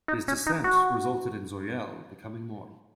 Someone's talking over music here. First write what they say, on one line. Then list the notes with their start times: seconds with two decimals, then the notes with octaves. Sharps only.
His descent resulted in Zauriel becoming mortal.
0.08 D#4
0.28 C#4
0.47 D#4
0.64 F#4